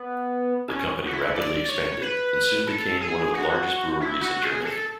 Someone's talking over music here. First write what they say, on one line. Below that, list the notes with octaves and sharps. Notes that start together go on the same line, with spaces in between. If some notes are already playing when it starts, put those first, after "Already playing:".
The company rapidly expanded and soon became one of the largest breweries in Germany.
Already playing: B3
C#4
F#4
E4
D5
C#5
B4
A4
G#4
F#4
E4
F#4
G#4
A4